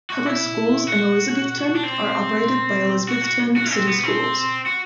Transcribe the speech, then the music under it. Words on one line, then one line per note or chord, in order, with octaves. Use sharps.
Public Schools in Elizabethton are operated by Elizabethton City Schools.
F#4
E4
F#4
D4
C4
F#4
F#4
F#4
C4
B3
C4
F#4